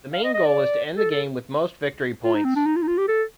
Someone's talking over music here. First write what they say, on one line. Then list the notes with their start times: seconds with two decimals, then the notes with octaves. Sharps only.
The main goal is to end the game with most Victory Points.
0.13 F5
0.24 D#5
0.34 D#5
0.45 D5
0.97 A4
1.11 A4
2.24 F4
2.34 D#4
2.45 C4
2.56 D4
2.66 D#4
2.76 F4
2.82 D#4
2.87 F4
2.98 G4
3.08 A4